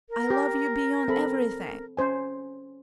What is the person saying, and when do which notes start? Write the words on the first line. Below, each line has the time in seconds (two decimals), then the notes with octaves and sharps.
I love you beyond everything....
0.10 A#4
0.30 G4
1.08 C4 A4 B5
1.97 C#4 C5 G#5